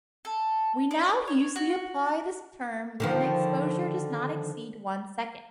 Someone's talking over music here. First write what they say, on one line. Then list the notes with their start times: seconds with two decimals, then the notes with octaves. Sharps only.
We now usually apply this term when the exposure does not exceed one second.
0.25 A4
0.91 D5
1.27 C#5
1.56 F#4
3.00 D3 D#3 F3